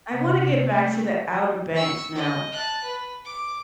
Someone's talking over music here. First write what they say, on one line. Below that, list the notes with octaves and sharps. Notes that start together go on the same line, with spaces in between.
I wanna get back to the Outer Banks now,
C3
A3
C#6 E6
D#5
A5 F#6
B4
D6